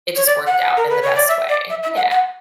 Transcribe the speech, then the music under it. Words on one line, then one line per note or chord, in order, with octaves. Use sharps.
it just worked out in the best way, yeah.
C#5
D5
F#5
A#4
B4
C#5
D5
E5
D5
E5
E5
F#5
F#5